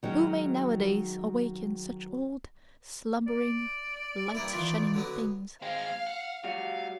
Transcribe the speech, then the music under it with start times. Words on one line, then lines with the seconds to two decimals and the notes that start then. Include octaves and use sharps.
Who may nowadays awaken such old slumbering, light-shunning things!
0.03 D#3 F#3 G#3 C#4
3.27 D5
4.35 G2 A#3 E4
4.53 D#3 E3 F4
4.94 D3 F#3 B3
5.62 G#3 C4 F5
6.07 F#5
6.44 G3 F#4 F5